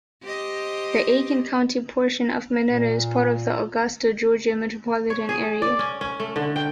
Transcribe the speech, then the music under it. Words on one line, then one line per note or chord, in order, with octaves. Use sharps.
The Aiken County portion of Monetta is part of the Augusta, Georgia metropolitan area.
G4 C5 D#5
A#2
C#5
G#4
D5
C#4
C#4
A3
D3
G5